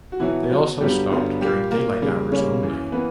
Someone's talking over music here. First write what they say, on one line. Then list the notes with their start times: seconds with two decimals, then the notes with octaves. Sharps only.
They also stopped during daylight hours only.
0.12 F#4
0.20 B2 E3 F#3 B3 E4
0.50 B2 F#3 B3 F#4
0.81 G2 D3 F#3 G3 B3 G4
1.10 G2 D3 F#3 B3
1.41 A#2 G3 A#3 G4
1.71 A#2 A#3 A#4
2.02 C#3 G3 A#3
2.32 C#3 G3 A#3 C#4 C#5
2.62 F#2 E3 A#3
2.92 E3 A#3 B3 B4